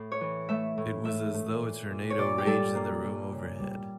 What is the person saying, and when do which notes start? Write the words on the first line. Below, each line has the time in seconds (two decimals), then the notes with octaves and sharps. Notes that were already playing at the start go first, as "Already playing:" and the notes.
It was as though a tornado raged in the room overhead.
Already playing: A2
0.12 C#5
0.21 E3
0.49 A3 E5
0.78 A2
1.05 A3 E5
1.34 A3
1.62 A#2
1.90 A#2
2.10 C#5
2.18 A#2 D5
2.38 G4
2.46 G3 A4
2.75 A#3
3.04 A#2
3.32 C#3
3.60 G3